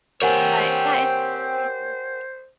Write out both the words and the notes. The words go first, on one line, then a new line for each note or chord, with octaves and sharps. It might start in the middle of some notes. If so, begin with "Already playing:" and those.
But, yeah, it's crazy.
C4 G4 A#4 C5 C#5 F#5 G#5